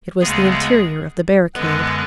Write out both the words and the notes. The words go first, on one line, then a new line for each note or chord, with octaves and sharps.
It was the interior of the barricade.
D2 C#3 G#3 B3 G#4
F#2 D3 G#3 B3 B4